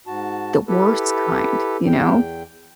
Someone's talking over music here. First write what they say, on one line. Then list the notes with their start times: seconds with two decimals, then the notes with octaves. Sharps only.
The worst kind, you know?
0.07 G#2 F#4 A5
0.68 E4 G4 A4 B4
1.87 E2 G5